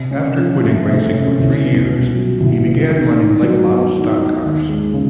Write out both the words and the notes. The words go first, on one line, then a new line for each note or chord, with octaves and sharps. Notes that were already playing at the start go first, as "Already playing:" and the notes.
After quitting racing for three years, he began running late model stock cars.
Already playing: C3
C#4
F3
A3
C3
C#4
C2
B3
B2
F#3
C2
B3
D#3
D#4
F#3
B3
D#3
D#4
D#2
G#3
C#3